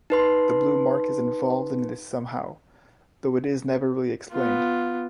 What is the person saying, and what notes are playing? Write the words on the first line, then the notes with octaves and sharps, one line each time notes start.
The blue mark is involved in this somehow, though it is never really explained.
D#4 B4 C6
B3 F4